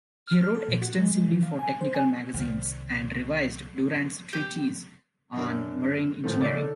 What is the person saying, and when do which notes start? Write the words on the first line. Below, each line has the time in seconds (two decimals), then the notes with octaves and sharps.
He wrote extensively for technical magazines and revised Durand's treatise on "Marine Engineering".
0.27 F6
0.39 F6
0.55 A4
0.68 A#2
0.82 F#4
0.98 G#3
1.11 G#3
1.28 E3
1.43 F5
1.59 G#5
1.81 C5
1.94 G#5
2.34 C2 D#3 G3
4.33 G4
5.37 F#2 D4 A#4
6.24 A2 D#3 F3 A3 A#3
6.40 C#3 D#4 D5
6.55 A4